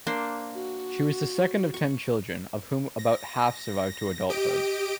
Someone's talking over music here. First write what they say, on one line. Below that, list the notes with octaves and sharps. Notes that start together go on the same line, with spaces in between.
She was the second of ten children, of whom about half survived to adulthood.
A#3 D4 C5
F#4
C#6
A#6
G4 D#5 D7